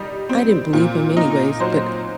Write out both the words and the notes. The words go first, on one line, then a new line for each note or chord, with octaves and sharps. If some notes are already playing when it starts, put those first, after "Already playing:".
"I didn't believe him anyways, but
Already playing: G3 D#4 D#5
C4
A#2
D#4
F#3 C5